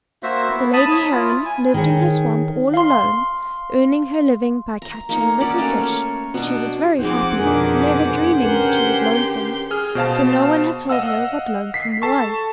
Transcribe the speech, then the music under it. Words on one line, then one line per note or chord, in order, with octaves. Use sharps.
The lady Heron lived in her swamp all alone, earning her living by catching little fish; and she was very happy, never dreaming that she was lonesome, for no one had told her what lonesome was.
A#3 F#4 C5 E5
B3 E4
A5 B5 D#6
C#5 D#6
E4 F4
G#5
D#3 G#4 C#5
F5 C6
A#5
A#3 D#4 C#5
C#4 F#4 C#5 D5
A3 A#3 C#4 A#4
C#5
B2 D4
F3 C4 D#4 G#4 C5 F#5 G#5 D6
F2 B2 D4 G#4 A#4 D6
C#4 G4 A#4 B4 C6 G6
G#4 F6
B2 C5 F5 A5
D#5 F5 F#5 E6
B6 C7
A4 A5 C#6